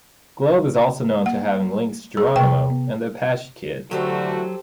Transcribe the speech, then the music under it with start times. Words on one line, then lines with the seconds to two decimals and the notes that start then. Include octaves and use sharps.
Globe is also known for having links to Geronimo and the Apache Kid.
1.26 A#3 F#5
2.17 G#4
2.36 C3 G5 C#6
2.70 B3
3.91 D3 E3 F#3 A3 F#4 G4 A4 C5